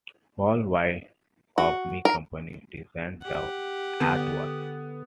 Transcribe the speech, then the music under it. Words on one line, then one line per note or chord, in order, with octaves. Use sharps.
Paul White of "Me Company" designed the artwork.
F#4
A#4
G4 F#5
D3 B3